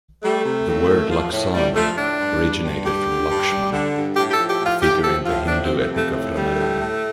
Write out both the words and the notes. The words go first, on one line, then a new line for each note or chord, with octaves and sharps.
The word Laksamana originated from "Lakshmana", a figure in the Hindu epic of Ramayana.
G3 A3
C3
F2
A2
F3
A2
A2 G3
F3 A3
A2 D4
G2
G3
G2
G3 G4
D3
G2
G3
D3
G2
A2 G4
G4
F3 A4
G4
A2
F4
A2 G4
F3 A4
A2 F4
F3 D4
C4
C3
A3
F2
A3
A2 A3
G3
A2
A2